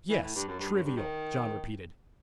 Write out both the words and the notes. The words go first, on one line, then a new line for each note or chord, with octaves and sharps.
"Yes, trivial," John repeated.
E3
A2
G2
F#2
G2
F#2
G2
D#3